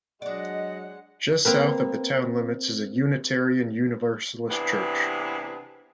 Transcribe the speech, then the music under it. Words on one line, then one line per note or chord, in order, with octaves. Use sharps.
Just south of the town limits is a Unitarian Universalist church.
F#3 G#3 D4 D5 D#5 F#5
A#3 C4 A#4 B4
C3 E3 B3 D4 G4 G#4